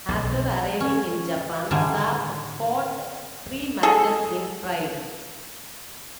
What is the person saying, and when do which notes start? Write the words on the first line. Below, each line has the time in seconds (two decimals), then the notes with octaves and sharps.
After arriving in Japan, Sapp fought three matches in Pride.
0.08 B1
0.80 C#4
1.71 A2 D3 D#3 G3 G#4
3.83 G#4 A4